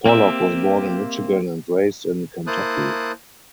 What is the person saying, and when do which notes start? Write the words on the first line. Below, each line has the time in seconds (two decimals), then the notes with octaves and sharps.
Pollock was born in Michigan and raised in Kentucky.
0.06 A#3 C4 G4 E5
2.47 A#3 E4 C5 A5 D#6 F#6